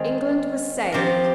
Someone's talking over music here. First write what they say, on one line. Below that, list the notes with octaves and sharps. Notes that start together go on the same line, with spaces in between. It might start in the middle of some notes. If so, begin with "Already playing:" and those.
England was saved.
Already playing: D#3 G#3 C4 F4
F3 C4 G4 A#4